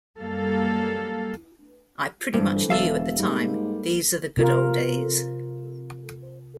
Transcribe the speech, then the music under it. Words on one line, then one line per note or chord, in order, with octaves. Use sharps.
I pretty much knew at the time, 'These are the good ole days.
F#2 G3 A#3 A4 F5
G2 D3 E3 C4
E1 A4 E5 F5
G#2 G3 A#3
C3 F4 A#4